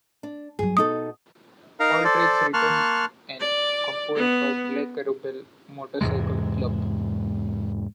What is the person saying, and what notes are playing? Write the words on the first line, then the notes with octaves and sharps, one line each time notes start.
All tracks written and composed by Black Rebel Motorcycle Club.
D4
G2 F#3 G#4
B2 B3 D#4 A4 D#6
D#4 A#4 F5 A#5
A4 C5 D5
A#3 A5 C6 C#6 F6 F#6
D5
B3
E2 G#2 C3 G#3